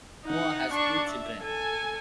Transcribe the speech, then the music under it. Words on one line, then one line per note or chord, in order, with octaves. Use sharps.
Noah has two children.
D#4 F#5
D4 C#6
E5
A4 G#5